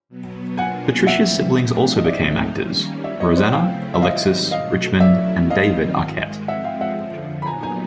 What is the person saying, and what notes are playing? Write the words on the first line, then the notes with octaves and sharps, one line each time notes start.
Patricia's siblings also became actors: Rosanna, Alexis, Richmond, and David Arquette.
B2 F#3 B3
B2 F#3 A#3 D4 F4 F#5 G#5
E3 G3 C4 E5 F#5
F3 A3 D4 G4
D#5
G#2 F3 A3 C4 D#4 D5 E5
D#3 G3 A#3 C#4
F#3 B3 E4 D5 E5
C#5 D#5
C5 D5
C#3 F3 A3 C4 E4 F5 G5
E5
G#2 D#3 G3 C4 D#5 F5
B2 F#3 A3 D#5 F5
F#3 A3 C#4 E4 D5 E5
G2 D#3 G3 C4 F4 D#5 F5
G#2 D#3 G#3
F3 G#3 C4 E5 F#5
F5 G5
E5 F#5
F2 D3 F3
B5
A#2 F#3 B3 D#4 G#5 A#5
G#5 A#5